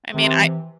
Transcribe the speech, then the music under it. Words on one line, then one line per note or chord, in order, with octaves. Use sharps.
I mean, I
C3 D#3
E3